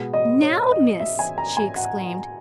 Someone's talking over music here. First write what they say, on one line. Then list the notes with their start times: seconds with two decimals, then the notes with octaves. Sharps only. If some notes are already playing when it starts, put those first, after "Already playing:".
"Now, Miss!" she exclaimed.
Already playing: B2 G#3 B3
0.14 D#5
0.42 C#5
0.71 D#5
1.00 E5
1.19 G#5
1.38 A#5
1.57 G#5
1.76 F#5